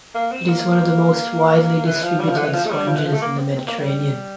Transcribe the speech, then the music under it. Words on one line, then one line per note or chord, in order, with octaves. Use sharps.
It is one of the most widely distributed sponges in the Mediterranean.
A#3
C4
A#3
E3
F3
G3
F3
D3
E3
F3
A3
G3
F3
E3
F3
A3
A#3
C4
C4
A#3
G3